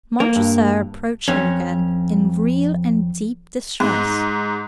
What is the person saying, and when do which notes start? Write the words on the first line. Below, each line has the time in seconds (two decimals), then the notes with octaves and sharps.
Montresor approached her again, in real and deep distress.
0.20 A#3
0.36 G2
1.28 F2 C#4
3.80 G#2